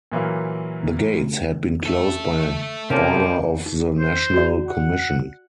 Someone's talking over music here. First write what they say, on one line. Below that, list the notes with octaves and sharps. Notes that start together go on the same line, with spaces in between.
The gates had been closed by order of the National Commission.
A#2 E3 F#3 A#3
A4 E5
C3 F3 G3 A#3 C#4 A4
D#4
C5
F#4 D5
F#5